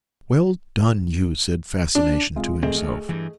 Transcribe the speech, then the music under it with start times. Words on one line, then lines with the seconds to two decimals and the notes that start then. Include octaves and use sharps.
'Well done you!' said Fascination to himself.
1.95 D4
2.36 C3 G#3 F4
2.62 A#1 A3 C4 G#4 D#5
2.76 D2
3.09 G2 E3